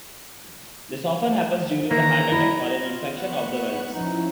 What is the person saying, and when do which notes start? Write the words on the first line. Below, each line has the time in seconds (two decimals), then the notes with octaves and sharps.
This often happens during a heart attack or an infection of the valves.
1.91 D#3 E3 A#3 A#5
2.32 E4 C#5 D#5
2.79 F4
3.12 B3 C#6 F#6
3.93 F3 C#4 D#4 E4